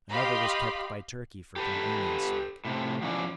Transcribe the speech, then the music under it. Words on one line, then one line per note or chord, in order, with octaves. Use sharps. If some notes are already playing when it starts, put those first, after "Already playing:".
Another was kept by Turkey for convenience sake.
G4 D#5 F5 B5 C6
G4 A4 B4
A2 C3
F3 F#3 C#4 E4 D5